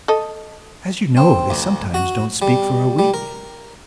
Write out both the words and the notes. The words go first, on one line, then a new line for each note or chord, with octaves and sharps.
As you know, they sometimes don't speak for a week.
A4 D#5
C4
D2
F#4
G3
G3
A#4